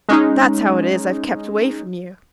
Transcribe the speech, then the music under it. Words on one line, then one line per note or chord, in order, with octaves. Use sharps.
That's how it is I've kept away from you.
G#3 C#4 D#4